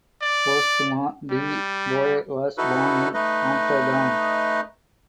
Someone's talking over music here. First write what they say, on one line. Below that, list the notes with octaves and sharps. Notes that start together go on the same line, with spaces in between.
Posthuma de Boer was born in Amsterdam.
D5
G3
D#4 E4 F#4 A4 B4
A3 D#4 B4 D#5